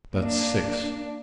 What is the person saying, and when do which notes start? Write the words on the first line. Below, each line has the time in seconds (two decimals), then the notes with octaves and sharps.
That's six.
0.15 A#3 D4